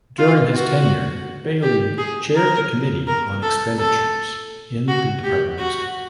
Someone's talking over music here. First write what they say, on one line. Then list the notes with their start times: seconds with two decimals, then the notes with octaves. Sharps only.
During his tenure Bailey chaired the Committee on Expenditures in the Department of State.
0.19 F4
0.55 F#4
1.63 G4
1.98 G#4
2.35 A#4
3.07 A#4
3.43 A4
3.79 A4
4.88 F#4
5.24 G4
5.59 F#4